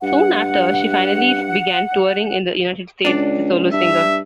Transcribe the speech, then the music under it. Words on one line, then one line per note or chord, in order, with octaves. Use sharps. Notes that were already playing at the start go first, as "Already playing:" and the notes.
Soon after, she finally began touring in the United States as a solo singer.
G2 F#5
C#2 D4 D5
G2 E5